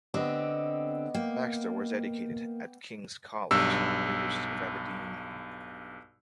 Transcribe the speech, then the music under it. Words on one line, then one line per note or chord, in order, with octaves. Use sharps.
Baxter was educated at King's College, University of Aberdeen.
D3 B3 C4 G4 D#5 D6
A#3 G5
B1 G2 E6